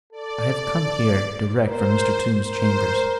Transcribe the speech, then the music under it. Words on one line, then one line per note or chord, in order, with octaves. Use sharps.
I have come here direct from Mr. Tombe's chambers.
A4 D5
A#4 C5
A#4 C5